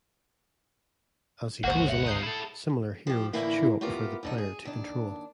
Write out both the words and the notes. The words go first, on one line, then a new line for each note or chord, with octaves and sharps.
As he goes along, similar heroes show up for the player to control.
G1 C#2 F#2 A#3 F#4 C5 F#5
C3 C#5 E5 F#5
D#6 G6 C7
E4 A4
F3 G4
A2 D3 E3 A#3 E4
A3 B3 F4 G4 A#4
D2 D3 D#4
G#4
D#2 D4